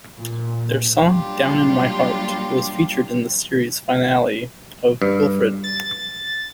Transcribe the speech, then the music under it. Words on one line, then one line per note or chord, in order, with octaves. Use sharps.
Their song "Down in My Heart" was featured in the series finale of "Wilfred".
A#2
F#3 G3 A#3 D4 F4 G4
G2
A6